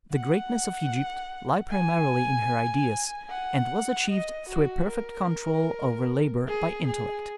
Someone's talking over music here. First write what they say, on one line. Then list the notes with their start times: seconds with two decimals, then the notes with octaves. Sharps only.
The greatness of Egypt lay primarily in her ideas, and was achieved through a perfect control over labor by intellect.
0.12 F#5
1.71 G#5
3.30 F#5
4.10 D#5
4.49 F#4
4.89 A#4
6.48 G#4
6.87 G#4